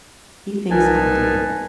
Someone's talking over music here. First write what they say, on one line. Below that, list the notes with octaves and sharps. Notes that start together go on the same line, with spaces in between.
He thinks I did it.
C2 D#4 A#4 B4 G#5 A5